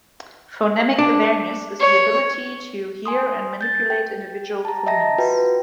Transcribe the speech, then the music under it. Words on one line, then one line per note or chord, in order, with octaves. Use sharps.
Phonemic awareness is the ability to hear and manipulate individual phonemes.
D4
C#5
G#5 C6 D#6
G6 A6
G5
A5 A#5
D#5 E5 G5 A5 A#5 A#6
F4 F#4 B4 G5